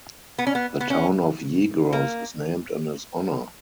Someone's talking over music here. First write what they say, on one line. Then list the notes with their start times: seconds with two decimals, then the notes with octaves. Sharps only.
The town of Yegros is named in his honor.
0.39 B3
0.47 C#4
0.55 B3
0.80 B3
0.90 C#4
1.93 A#3